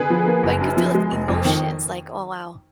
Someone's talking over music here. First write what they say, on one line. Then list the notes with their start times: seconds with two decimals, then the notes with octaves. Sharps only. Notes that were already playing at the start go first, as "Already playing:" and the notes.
like, you could feel the emotions, like, "Oh, wow.
Already playing: D3 G#4 B4
0.10 F3
0.27 A#3
0.43 F#1
0.61 F#2
0.77 F3
0.94 G#3
1.12 F1
1.28 F2
1.45 D#3